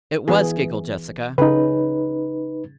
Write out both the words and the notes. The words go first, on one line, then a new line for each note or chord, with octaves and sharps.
"It was," giggled Jessica.
E3 B3 G#4
C#3 D#4 B4